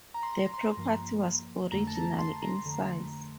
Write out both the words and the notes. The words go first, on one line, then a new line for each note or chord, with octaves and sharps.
The property was originally in size.
A#5
C6
A#5
A#5
C6
A#5
G2 F3 A#3
F2 D3 A3 A#5
A5
A#5
C6
A#5
F2 D3 A3